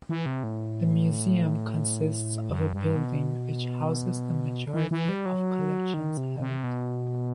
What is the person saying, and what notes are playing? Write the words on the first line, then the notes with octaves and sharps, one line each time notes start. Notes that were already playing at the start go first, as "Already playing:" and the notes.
The museum consists of a building which houses the majority of collections held.
E3
C3
A2
F#2
G2
B2
E3
E3
G3
F#3
D#3
C3
C3
B2